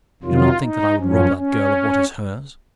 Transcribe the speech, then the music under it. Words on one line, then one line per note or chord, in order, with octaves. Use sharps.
You do not think that I would rob that girl of what is hers.
F2 C3 D#3 F#3 F4
D#4
F#2 F3 C#4
C#4